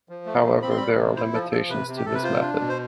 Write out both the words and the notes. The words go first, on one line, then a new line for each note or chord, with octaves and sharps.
However there are limitations to this method.
F3
A3
F3
C4 B5
C6
G3 B5
C3
E4 C5
F3 A4
F3 A4
C3 B4
C3
G4
C3 A4
B4
F4 C5
D4
B2
C5